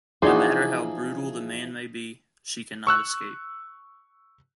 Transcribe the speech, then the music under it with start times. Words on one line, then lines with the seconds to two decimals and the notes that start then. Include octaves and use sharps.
No matter how brutal the man may be, she cannot escape.
0.22 E3 F3 D4 D#4 F#4 G#4 D5 C6
2.87 C#6 E6 F#6